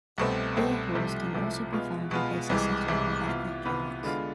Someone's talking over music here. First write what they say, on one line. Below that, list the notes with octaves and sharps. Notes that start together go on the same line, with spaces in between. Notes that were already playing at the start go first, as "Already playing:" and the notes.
Beer halls can also be found in places settled by ethnic Germans.
C2 B2 A3 C4
C2 B2 A3 C4
C2 C3 F3 A3 E4
C2 C3 F3 A3 E4
B2 G#3 B3 F4
B2 G#3 B3 F4
C2 C3 E3 G#3
C2 C3 E3 G#3
C3 E3 B3 F4
C3 E3 B3 F4
D3 G#3 B3 F4